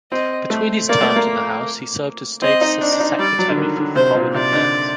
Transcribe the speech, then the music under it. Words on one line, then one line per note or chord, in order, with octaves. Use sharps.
Between his terms in the House he served as State Secretary for Foreign Affairs.
C4 D#5
A3
A#3 D5
A3
A#3
C4 D#5
D#4
D4
D4
D#4
G3 D5
F#3
D3
D#3
D3
C3 C5
A#2
C3 D5
D3